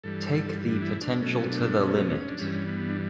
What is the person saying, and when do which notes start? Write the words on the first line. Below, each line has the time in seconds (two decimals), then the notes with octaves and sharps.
Take the potential to the limit.
0.04 G2 E3 G3 A4
0.70 D4
0.82 E4
1.01 D4
1.21 B2 F#3 A3 C#4
1.50 D4
1.80 C#4
2.09 C#4
2.28 D4
2.39 G2 E3 G3 C#4
2.67 B3
2.89 D4